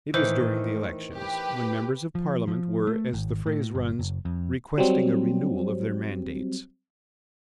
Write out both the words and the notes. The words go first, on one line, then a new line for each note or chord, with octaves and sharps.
It was during the elections, when members of Parliament were, as the phrase runs, requesting a renewal of their mandates.
A2 D#3 E3 C5
G4 B4
F3
F3
A3
G#1
A2
G1
F#1
F2
F#3 G3 C4